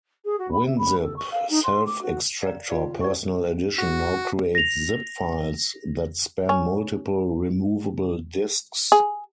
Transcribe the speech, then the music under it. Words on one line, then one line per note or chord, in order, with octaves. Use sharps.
WinZip Self-Extractor Personal Edition now creates Zip files that span multiple removable disks.
G#4
F#4
B5
E5
B5
A4
C#6
F5
D#4
C6
D6
F#4
D5 F5 A#5
F4 D5 F5 B5
E4 F#4 G4 C5 D5 C#6
F#4
A#6 F7
C#4
G#4